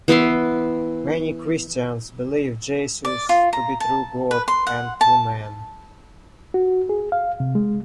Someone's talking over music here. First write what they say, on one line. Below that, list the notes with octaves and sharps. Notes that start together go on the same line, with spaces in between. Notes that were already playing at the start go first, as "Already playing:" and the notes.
Many Christians believe Jesus to be true God and true man.
E3 B3 E5 C6
D5
F4
A#5
A5
B4
C6
F#5
A5
F#4
G#4
F5
C3
G#3